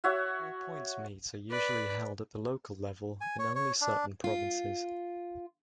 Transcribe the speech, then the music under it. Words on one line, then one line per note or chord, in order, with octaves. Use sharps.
All-points meets are usually held at the local level in only certain provinces.
F#4 C#5 E5 F#5
B4 D5
G#5
C#5
C#5
D4
F4